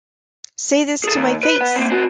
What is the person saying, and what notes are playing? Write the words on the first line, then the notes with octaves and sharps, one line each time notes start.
Say this to my face!.
G#4 A4
D#2
B4
B4 F#5
A#3 C4
C4 F#4